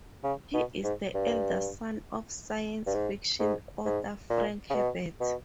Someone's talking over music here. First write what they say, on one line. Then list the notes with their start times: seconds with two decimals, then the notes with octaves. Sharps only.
He is the elder son of science fiction author Frank Herbert.
0.24 C#3
0.54 B2
0.84 G#2
1.15 G2
2.87 G2
2.95 G#2
3.40 G#2
3.85 G#2
4.30 A#2
4.70 C#3
4.75 B2
5.21 B2